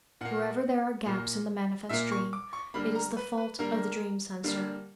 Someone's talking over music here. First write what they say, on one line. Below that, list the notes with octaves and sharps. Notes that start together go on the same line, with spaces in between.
Wherever there are gaps in the manifest dream, it is the fault of the dream censor.
A#2 A#3 F#5
A#2 A#3
A#2 A#3 E5
C#6
D6
C#6
D3 G3 A#3 B5
A#5
B4
B4
D3 G3 A#3 A#4
D3 G3 A#3